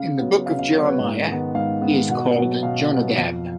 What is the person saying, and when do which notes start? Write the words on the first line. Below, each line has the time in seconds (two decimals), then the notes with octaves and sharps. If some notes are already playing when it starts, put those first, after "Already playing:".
In the Book of Jeremiah he is called Jonadab.
Already playing: C#3 F5
0.18 F#3 B3
0.46 C#3 F5
0.59 F5
0.72 F#3 B3 C#5
0.87 B4
1.00 G#2
1.27 D#3 G#3 B3
1.54 G#2 F5
1.81 D#3 G#3 B3
2.09 B2 F#5
2.36 F#3 B3
2.63 B2 F5
2.91 F#3 B3
3.18 F2